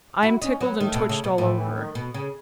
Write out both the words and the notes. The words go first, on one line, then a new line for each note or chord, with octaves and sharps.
I am tickled and twitched all over.
E4 F#4
C#4 D#4
F#3 B3
D#3 A3
B2
C#3
B2
A2 E3
E3
D#3
B2
C#3